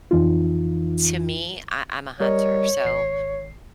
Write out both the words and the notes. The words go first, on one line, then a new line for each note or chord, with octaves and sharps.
to me, I I'm a hunter, so,
F2 E3 D#4 F4
G3 A#4 C#5 D#5
G#1 C7